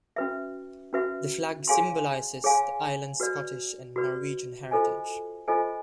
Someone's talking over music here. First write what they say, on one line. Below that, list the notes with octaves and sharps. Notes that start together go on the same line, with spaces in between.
The flag symbolises the islands' Scottish and Norwegian heritage.
C#4 F#4 B4 E5
C#4 F#4 B4 E5
G#4 C#5 F5 G#5 C6
G#4 C#5 F5 G#5 C6
F#4 B4 D5
F#4 B4 D5
F4 A4 C5 D#5 G#5
F4 A4 C5 D#5 G#5